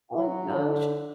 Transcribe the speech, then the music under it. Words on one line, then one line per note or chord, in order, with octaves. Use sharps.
Oh gosh.
F#3
D3